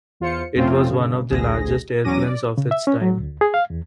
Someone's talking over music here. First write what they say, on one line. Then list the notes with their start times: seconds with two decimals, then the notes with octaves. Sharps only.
It was one of the largest airplanes of its time.
0.20 E2 F4 C5 C#7
0.55 F2 C3 A3 C4 C#4 F4
0.89 G1 C#3
1.30 A1 D2 G#4 A#6
2.04 E2 F#3 C#4 D6 A#6 D#7
2.24 D5
2.58 C#3
2.71 E5
2.87 C#4
3.01 F#3
3.17 D2
3.41 G#4
3.54 F5
3.70 E2